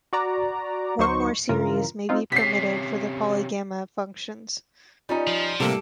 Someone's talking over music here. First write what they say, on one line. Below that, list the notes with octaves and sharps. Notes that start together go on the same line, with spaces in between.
One more series may be permitted for the polygamma functions.
F#4 D5 A#5
D2 F#3 D#4 C5 C#6
G2 C#3 E3 F4 A#4
C4 D#4 F4
C3 C#4 B6 C7
G3 C#4 D#4 F4 A#5
F3
A2 C3 G3 A#3 G4 A4